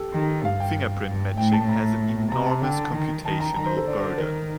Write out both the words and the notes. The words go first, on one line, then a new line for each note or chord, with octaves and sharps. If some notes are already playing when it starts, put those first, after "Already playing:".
Fingerprint matching has an enormous computational burden.
Already playing: G4 A4
D#3 G4
G2 F5
G5
G2
A2 G5
A5
A#5
C3 A#5
A5
D3 G5
D#3
D#3 A5
A#5
D#3 A#5
C5
A4
D3 D5
C5
D#3 A#4